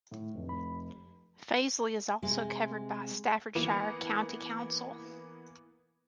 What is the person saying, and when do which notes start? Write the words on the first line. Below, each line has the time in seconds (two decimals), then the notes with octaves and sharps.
Fazeley is also covered by Staffordshire County Council.
0.11 A2
0.35 F1 F2
0.49 B5
2.22 C3 G#3
3.55 E3 A#3 B3 F7